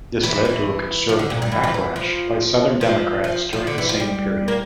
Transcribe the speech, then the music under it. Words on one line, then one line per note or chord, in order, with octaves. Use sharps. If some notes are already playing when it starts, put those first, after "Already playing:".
This led to a conservative backlash by southern Democrats during the same period.
E3
E3
F3
D3
A#2
G2
E3
F3
E3
F3
F3
F3
F3
D3
E3
F3
G3
A#3